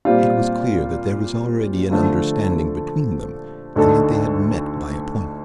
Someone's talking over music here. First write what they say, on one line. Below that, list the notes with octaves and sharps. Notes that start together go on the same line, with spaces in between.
It was clear that there was already an understanding between them and that they had met by appointment.
A#2 G3 C4 F4
D3 F3 A3
D2 D3 A3 D#4 A4